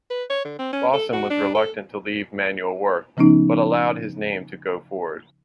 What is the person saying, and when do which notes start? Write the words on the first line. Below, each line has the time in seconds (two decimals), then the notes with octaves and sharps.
Lawson was reluctant to leave manual work, but allowed his name to go forward.
0.10 B4
0.30 C#5
0.45 D3
0.59 C4
0.73 C#4
0.93 A4
1.13 F#4
1.30 D4
1.55 A4
3.17 C#3 F3 B3 C#4 D#4